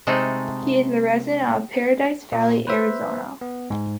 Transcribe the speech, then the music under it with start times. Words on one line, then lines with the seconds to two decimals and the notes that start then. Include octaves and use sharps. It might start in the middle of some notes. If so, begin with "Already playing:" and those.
He is a resident of Paradise Valley, Arizona.
0.07 C3 G#3 A3 D#4 A4
2.32 A#2
2.67 B4 C5 E5
3.41 B3
3.70 G#2